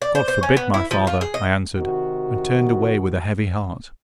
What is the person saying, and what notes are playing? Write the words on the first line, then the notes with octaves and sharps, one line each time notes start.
"God forbid, my father," I answered, and turned away with a heavy heart.
D5
C5
C5
C#4
B3
E4
F3
F4
G#4
D#5
C3 D#3 F#4